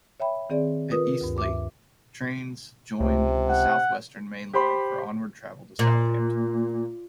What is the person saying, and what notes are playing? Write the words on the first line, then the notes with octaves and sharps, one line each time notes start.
At Eastleigh, trains join the South Western Main Line for onward travel to Southampton.
C#5 E5 G5 B5
D#3 C4 G#4 D5
F4 A#4 B4 D#6
D2 G2
E5 D6
C#2 C3
F#5
G4 C5 B5 C6
A#2